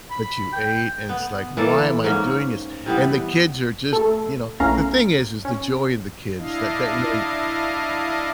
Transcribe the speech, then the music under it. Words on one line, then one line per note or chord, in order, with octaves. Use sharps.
that you ate, and it's like, "Why am I doing this?" And the kids are just you know? The thing is is the joy and the kids that that really
B5
G5
B3
E3 A#3 A4 D5
G#2 A#3 C#4
C3 E3 G3 B3
A3 A4
A#1 E2 A3 C#4 F5 A#5
C#4
D4 E4 D#5 F5